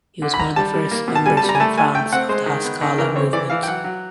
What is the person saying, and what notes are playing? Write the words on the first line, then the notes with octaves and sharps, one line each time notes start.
He was one of the first members from France of the Haskalah movement.
D3
B5
D3 A#5
G3 A5
G3
A#3
B2
A5
G3 G#5
A5
G3
A#5
G#5
A3 A5
A3 G#5
A3 G5
C4 F#5
G#3 C5
D#3
B3
D#3
E3 A#4
C4 C#5
E3 D5
E3 F5
G5
F#3 F#5
F#3